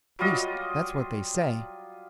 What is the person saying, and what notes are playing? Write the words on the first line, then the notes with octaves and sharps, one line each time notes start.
At least that's what they say.
F#3 G3 F4 D#5